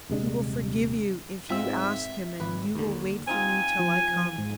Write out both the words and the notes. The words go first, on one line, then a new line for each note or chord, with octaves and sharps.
He will forgive you, if you ask Him, and you will wait for me till I come.
D#1 C3 G#3 D4
G#2 C4 F4 E5 E6
G#1 B4
D#2 D3
C4 D#4 F4 G#5
F3
G#2